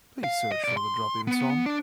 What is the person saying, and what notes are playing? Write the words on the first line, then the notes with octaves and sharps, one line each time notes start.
Please search for the Drop-In song.
F5
D#5
B2 D5
C6
B3
D4